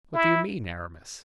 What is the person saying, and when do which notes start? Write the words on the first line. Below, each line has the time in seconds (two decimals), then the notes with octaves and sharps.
"What do you mean, Aramis?"
0.14 E4